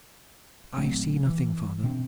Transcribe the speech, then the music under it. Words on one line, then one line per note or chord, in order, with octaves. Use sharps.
"I see nothing, father."
A#1 F#3 A3 C4
E3
B2 C4 D4